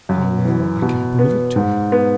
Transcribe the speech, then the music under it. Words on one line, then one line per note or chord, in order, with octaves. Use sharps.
How well I can prove it to you!
F#2
E3
B2
B3
G#2
B3